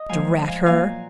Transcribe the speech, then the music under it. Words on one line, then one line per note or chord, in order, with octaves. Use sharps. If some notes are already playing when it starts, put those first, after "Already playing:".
Drat her!
Already playing: D#5
A#2 F3 G#3 F5 G#5
F5 G#5
A#2 F#3 A#3 F5 G#5